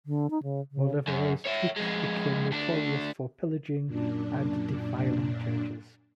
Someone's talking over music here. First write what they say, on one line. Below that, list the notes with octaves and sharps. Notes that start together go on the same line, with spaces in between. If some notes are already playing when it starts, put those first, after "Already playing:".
Mauleverer's troops became notorious for pillaging and defiling churches.
D3
D#4
C#3
C#3
F#2
C#5 E5
F2 G#3
D2 D4
F#2 A#2 D4